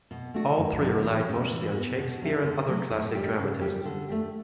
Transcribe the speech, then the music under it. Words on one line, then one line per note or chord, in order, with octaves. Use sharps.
All three relied mostly on Shakespeare and other classic dramatists.
B2
A3 D4 F#4
G2
D3 F#3 B3
E3
G3 C#4
E3
B3 F#4
B2
F#3 C#4 E4 G4
D3
F#3 A3
A2
G3 D4 G4
C#3
G3 C#4 G4
D3
A3 D4 G4